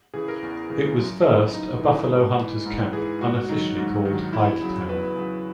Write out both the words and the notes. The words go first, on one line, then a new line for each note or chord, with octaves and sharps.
It was first a buffalo hunter's camp unofficially called Hidetown.
C#3 E3 G#4
A#4
E2
C#3 E3
F#2
C#3 E3
F#2 D#4
C#3 E3
G#2
E3
G#2
E3 G#4
G#2 F#4
D#3 F#3 D#4
G#2
D#3 F#3
E2 E4
C#3 F#3
E2 B4
C#3 F#3